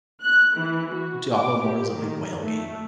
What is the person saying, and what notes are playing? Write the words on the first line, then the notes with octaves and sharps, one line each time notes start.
Diablo Immortal's a big whale game
F#6
E3
F#4
D6
G4
D#3
A3